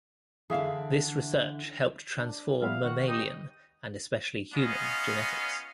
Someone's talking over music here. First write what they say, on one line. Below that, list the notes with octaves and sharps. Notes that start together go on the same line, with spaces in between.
This research helped transform mammalian, and especially human, genetics.
D3 E3 G#4 E5 F5
D4
F3 G3 B3 E5 F5
D#3 F#4 F#5
D#4 G4 B4 D#6
B3 C#4 F4 D#5 F5